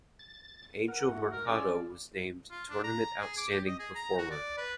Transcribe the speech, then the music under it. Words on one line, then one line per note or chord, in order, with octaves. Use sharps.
Angel Mercado was named Tournament Outstanding Performer.
A6
A#4 F#5
G#2 A3 F#4
A#4
C#4 F4 G#4 C#5 D5 E6
F4
D4
A#5
G#4
D6
G4
D#5
G#4
A#5
F#4
D5
B4